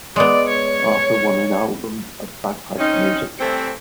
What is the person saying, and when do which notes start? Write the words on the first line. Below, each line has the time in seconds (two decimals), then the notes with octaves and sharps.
Arthur won an album of bagpipe music.
0.16 G#3 B3 D5
0.49 C#5
2.78 C4 C#4 D#4
3.39 E3 G3 A3 C4